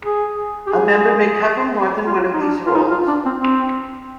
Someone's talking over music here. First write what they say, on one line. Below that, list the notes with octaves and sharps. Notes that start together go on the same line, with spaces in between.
A member may cover more than one of these roles.
G#4
G4
G#4
F4
D#4
D4
F4
D#4
F4
D4
C4
C4